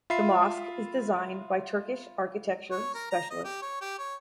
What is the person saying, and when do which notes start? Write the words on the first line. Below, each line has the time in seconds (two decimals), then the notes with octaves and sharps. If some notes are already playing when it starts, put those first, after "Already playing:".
The mosque is designed by Turkish architecture specialist.
0.10 F4 E5 B5 C7
2.71 C#5
2.94 A#4
3.11 A#5
3.31 D#5
3.44 G4
3.62 C#5
3.81 G4
3.99 C#5